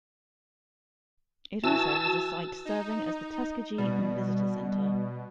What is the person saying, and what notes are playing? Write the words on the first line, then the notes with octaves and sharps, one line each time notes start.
It also has a site serving as the Tuskegee Visitor Center.
E3 F#4 A5 E6
D#4
B2 G3